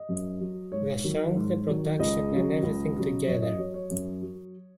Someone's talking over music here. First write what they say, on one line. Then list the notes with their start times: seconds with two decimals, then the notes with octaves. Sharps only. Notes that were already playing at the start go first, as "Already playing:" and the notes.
The song, the production and everything together.
Already playing: D#5
0.09 F#2
0.41 F#3
0.72 G#2 C#5
1.04 D#3 F#3
1.35 G#2
1.67 D#3 F#3
1.99 C#2 D#5
2.31 C#3 F#3
2.63 C#2
2.95 C#3 F#3
3.27 F#2 C#5
3.42 D#5
3.59 F#3 C#5
3.74 C#5
3.91 F#2
4.22 F#3